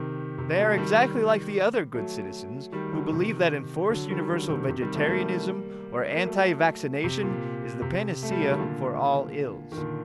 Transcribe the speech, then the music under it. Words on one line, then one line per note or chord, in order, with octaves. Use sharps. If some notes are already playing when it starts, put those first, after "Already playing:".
They are exactly like the other good citizens who believe that enforced universal vegetarianism or anti-vaccination is the panacea for all ills.
Already playing: C3 D#3
C3
F#3 A3
D#3 G3
F#3 A3
D#3 G3
D3 F#3
C3 D#3
D3 F#3
D#3 G3
D3 F#3
C3 D#3
C3
D#3 G3
F#3 A3
G3 A#3
A#3
F#3 A3
C3
A#2
C3
A3
G3
F#3
D#3
A#2 D3
D#3
A#2 D3